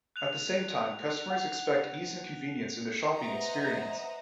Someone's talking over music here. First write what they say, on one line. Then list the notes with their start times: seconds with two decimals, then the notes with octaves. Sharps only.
At the same time, customers expect ease and convenience in their shopping experience.
0.16 F#6 F7
1.30 F#5
3.15 B4 C5 D#5 E5 F#5 A#5